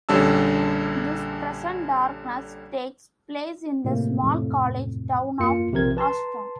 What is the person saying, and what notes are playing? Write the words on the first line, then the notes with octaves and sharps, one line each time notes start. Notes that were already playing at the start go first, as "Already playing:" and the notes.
"This Present Darkness" takes place in the small college town of Ashton.
A#1 D3 G3 C#4 A5 E6
A2 C3 A#3
F2 A2 C3
F#2 A#3 F4 C#7
B1 C3 F3 A#4 G#6
B4 A5 A#5 C6